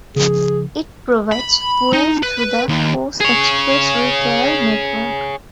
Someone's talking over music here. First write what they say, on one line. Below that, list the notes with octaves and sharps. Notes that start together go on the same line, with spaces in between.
It provides fuel to the Coles Express retail network.
C#3 F3 G#4
B5
D#4
B4
D#2
G#4 C#5